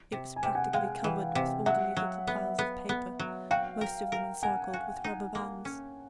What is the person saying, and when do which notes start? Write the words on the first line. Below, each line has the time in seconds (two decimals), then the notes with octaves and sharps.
It was practically covered with orderly little piles of paper, most of them encircled with rubber bands.
0.12 C3
0.36 G#5
0.43 C3 G5
0.55 F#5 G#5
0.73 G#3 F5 G5
1.04 E3
1.35 C3
1.66 F#3 E5 F#5
1.97 F#3
2.27 B3
2.59 B3
2.89 B3
3.19 F#3
3.51 F#4 F5 G5
3.81 A#4
4.12 A#4
4.43 A#4 F#5 G#5
4.73 F#4
5.04 D#4
5.35 A#3
5.65 C#4